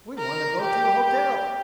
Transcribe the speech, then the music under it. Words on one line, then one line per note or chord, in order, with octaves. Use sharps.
"We want to go to a hotel."
A#4
G4
G4